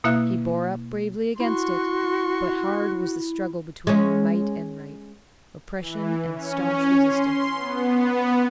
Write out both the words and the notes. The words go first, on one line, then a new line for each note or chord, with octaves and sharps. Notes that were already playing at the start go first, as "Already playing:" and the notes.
He bore up bravely against it; but hard was the struggle between might and right, oppression and staunch resistance.
B2 A#3 E4 E5 F5 F#6
E4 F#4 C6 C#6
G#3 C#4
E3
C#4
C6
B3